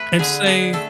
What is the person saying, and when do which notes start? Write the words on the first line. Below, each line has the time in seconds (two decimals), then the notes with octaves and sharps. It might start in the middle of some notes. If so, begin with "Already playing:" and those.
And say
Already playing: A3 B4
0.19 D3 G#4
0.46 D4 G#4
0.73 A3 A4